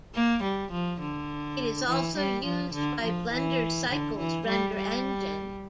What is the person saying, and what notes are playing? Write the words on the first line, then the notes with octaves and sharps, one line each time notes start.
It is also used by Blender's Cycles render engine.
A#3
G3
F3
D3
E3
G3
F3
D3
F3
E3
D3
E3
G3
G3